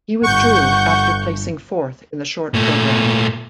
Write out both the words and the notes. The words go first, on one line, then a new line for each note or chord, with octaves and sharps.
He withdrew after placing fourth in the short program.
G1 F#5 C#6 G6
A#2 A3